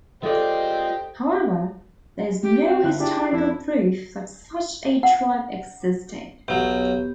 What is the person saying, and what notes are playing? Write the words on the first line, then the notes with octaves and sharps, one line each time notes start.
However, there is no historical proof that such a tribe existed.
G#3 F4 G4 A4 C5 D5 D#5
G4
C4
G1 F4 F#6
D4 E4 G4 G#4
F2 E4
F#5
B1 F#3 B3 G4